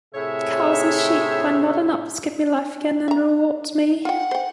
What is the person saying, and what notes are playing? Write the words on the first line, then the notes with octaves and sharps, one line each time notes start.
Cows and sheep are not enough to give me life again and reward me!
A2 C3 G#4 C#5 E5
E5 A#5
F4 F#5 G5
C5 G5